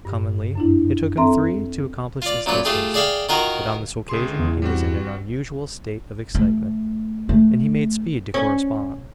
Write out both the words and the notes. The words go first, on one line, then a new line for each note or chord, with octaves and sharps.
Commonly it took him three to accomplish this distance; but on this occasion he was in an unusual state of excitement, and he made speed to correspond.
G2
F#2 D4 E4
C4 A4 E5 A#5 C6
F4 D5
F#2 A#2 F#3 B4
A3 F4 G4 G#4
G#4 D5 E5 F5 G5
D#3 F4 F#4 A#4
C#2 G#4 C6
E2
G3 C4 F#4
A3
A3
C#4